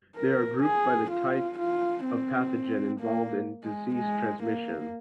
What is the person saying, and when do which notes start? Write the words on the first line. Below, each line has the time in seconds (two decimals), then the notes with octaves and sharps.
They are grouped by the type of pathogen involved in disease transmission.
0.16 A#4
0.63 G#4
1.11 F4
1.59 F4
2.06 C4
3.00 A#3
3.64 G#3
3.95 G#3
4.43 A#3